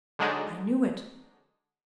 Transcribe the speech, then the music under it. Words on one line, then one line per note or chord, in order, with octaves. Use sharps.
I knew it.
D3 F#3 G#3 D4 D#4